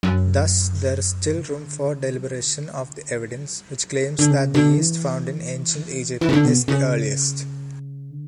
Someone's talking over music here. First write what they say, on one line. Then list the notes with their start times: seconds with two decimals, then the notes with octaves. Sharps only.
Thus, there is still room for deliberation of the evidence which claims that the yeast found in Ancient Egypt is the earliest.
0.03 F#2
1.36 C#3
1.45 D3
2.17 F#3
2.28 E3
2.41 D3
3.35 F#3
3.59 G3
3.83 F#3
4.03 C#3
4.07 D3
4.19 D3
4.31 C#3
4.55 D3
4.78 E3
6.21 E3
6.29 C#3
6.33 D3
6.45 B2
6.68 C#3
8.11 D3